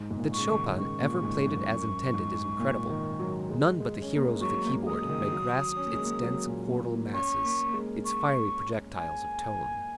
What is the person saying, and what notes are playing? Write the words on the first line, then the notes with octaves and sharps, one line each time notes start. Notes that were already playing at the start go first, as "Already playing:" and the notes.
That Chopin ever played it as intended is incredible; none but the heroes of the keyboard may grasp its dense chordal masses, its fiery projectiles of tone.
Already playing: G#2
G#2
A#2
C#6
C#3
D#3
D#3
C#3 C#6
A#2
G#2
F#2
F#2
G#2
A#2
D#3
F#3
G#3
G#3
C#4
A#3
G#3
F#3 C#6
A#3
G#3 D#6
C#3
D#3
D#3
F#3
C#4
A#3
G#3
A#3
F#3
A#2
A#2
A#3
C#4 C#6
A#3
A#3
G#3
C#6
G#5